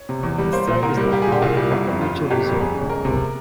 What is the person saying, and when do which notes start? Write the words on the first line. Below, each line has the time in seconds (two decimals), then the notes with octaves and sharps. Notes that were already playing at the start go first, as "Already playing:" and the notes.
The site is now part of a nature reserve.
Already playing: C#5
0.09 C3
0.23 E2
0.38 G3
0.53 A#3 C5
0.67 A#2
0.82 C2 A#4
0.97 G3
1.12 A#3 G4
1.22 G#4
1.27 A#2 G4
1.42 C2 F4
1.57 G3
1.71 G1 E4
1.86 F2
2.01 G1 F4
2.16 C#3
2.30 G1 G4
2.46 F2
2.60 G1 G#4
2.75 C#3
2.89 G#3 A#4
3.05 C3